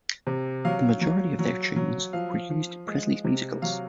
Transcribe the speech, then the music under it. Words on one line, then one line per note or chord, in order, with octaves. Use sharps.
The majority of their tunes were used in Presley's musicals.
C3
F#3 F5
F#3
F#3
F#3
F3 F5
F3
G#3
C3
F#3 F5